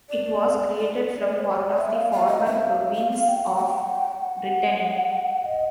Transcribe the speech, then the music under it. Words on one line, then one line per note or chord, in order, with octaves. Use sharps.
It was created from part of the former province of Brittany.
D5
D5
C#5
D5
C#5
D5
E5
F5
F5
D#5
E5
F5
F5
F5
G5
F#5
F#5
G5
F#5
G5
F#5
D#5